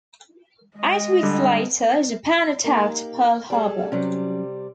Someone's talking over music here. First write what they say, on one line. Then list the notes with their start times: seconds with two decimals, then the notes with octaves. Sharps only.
Eight weeks later, Japan attacked Pearl Harbor.
0.77 G#3 D#5
1.23 D3 G3
2.64 A#3 D#4 G4
3.50 G3 G#4 A4
3.92 C3 F#3 G3 C#4